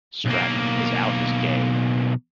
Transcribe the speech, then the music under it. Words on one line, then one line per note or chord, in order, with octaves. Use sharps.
Stratton is out as gay.
B1 A#3